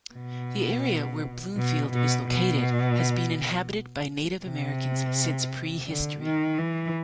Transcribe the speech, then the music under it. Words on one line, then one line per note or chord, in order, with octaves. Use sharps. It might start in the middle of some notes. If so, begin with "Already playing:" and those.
The area where Bloomfield is located has been inhabited by Native Americans since prehistory.
B2
B2
B2
B2
C3
D3
D#3
E3